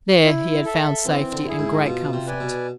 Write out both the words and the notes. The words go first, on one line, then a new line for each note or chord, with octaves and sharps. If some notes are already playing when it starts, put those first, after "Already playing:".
There he had found safety and great comfort.
E4
A4 E5
E3 C4
D3
E4 G#4
G#2
B2 F4
C3
B4 D5 G#5
B2